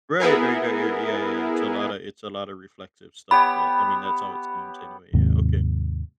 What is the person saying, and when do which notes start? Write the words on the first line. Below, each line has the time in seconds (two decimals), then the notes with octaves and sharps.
Right, right, right. Yeah, yeah, yeah. It's a lotta it's a lotta reflective stuff, yeah. I mean, that's how it seems, anyway. Yeah, okay.
0.20 B3 E4 G#4 A#4
3.31 B3 G4 C#5 B5
5.14 D#2 G#2 C3